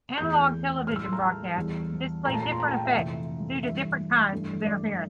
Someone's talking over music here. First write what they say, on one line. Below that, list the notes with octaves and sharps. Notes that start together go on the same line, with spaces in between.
Analog television broadcasts display different effects due to different kinds of interference.
E2 E3 A3 G6
A2 G3 F6
E6
C6
A#5
A5
E2 E3 G3
A#2 A3 A#5
A5
A#5
C6
A#5
A5
G5
E5
F2 C3 E3 A3
G2 E3 G3 E5
G2 E3 A3
D5